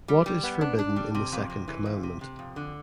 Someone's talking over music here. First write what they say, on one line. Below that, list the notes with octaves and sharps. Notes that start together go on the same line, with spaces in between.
What is forbidden in the second commandment?
G3
G3
B3
D4
D4
G3
C3
F2
C3
E3
F2
C3
C3
F2
D3